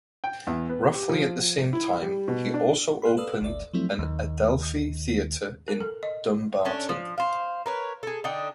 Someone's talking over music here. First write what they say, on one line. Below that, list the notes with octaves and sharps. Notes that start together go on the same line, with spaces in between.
Roughly at the same time he also opened an Adelphi Theatre in Dumbarton.
G5
E2
B3
G4
F3
E4
G3
B2
D4
B5 C6 F6 F#6
A4 B4 D5 F5 D#6 E6
G#1 D2 D5 E5
F3 F#3 A3 C4 E4
D#2
A#4
A4
D#5
A3 C#4 D4
F3
C5 F5
A#4 B4 C#5
G#4 A4
D3 D4 D#4 G5